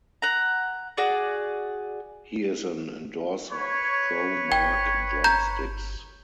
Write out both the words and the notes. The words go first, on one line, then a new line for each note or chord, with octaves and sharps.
He is an endorser of Pro-Mark Drumsticks.
F#5 A#5
F#4 G#4 D5
B4 C#5
G1 G5
A#5 G6